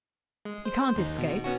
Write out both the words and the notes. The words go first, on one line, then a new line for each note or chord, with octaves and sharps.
You can't escape.
G#3
C5
D#2 D#4
B2
B3 C#4 F#4